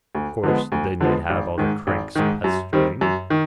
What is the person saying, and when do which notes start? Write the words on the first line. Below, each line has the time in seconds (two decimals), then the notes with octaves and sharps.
Course then you'd have all the cranks pestering.
0.15 D2
0.43 D3 F3 G#3 B3
0.72 D2
1.01 D3 F3 G#3 B3
1.30 G#1
1.58 G#2 D#3
1.87 G#1
2.15 G#2 D#3
2.44 F#2
2.73 D#3 G3 C4
3.01 F#2
3.30 D#3